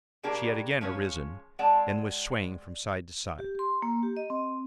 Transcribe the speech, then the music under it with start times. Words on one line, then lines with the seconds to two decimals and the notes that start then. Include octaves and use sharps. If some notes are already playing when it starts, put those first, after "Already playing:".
She had again arisen and was swaying from side to side.
0.23 B2 A#3 D4 G4 G#4 A#4
0.81 F3 G#3 C#4 C#5
1.59 G#3 C4 D5 F#5 A5
3.39 G4
3.59 C6
3.82 A#3
4.03 G4
4.17 D#5
4.30 C4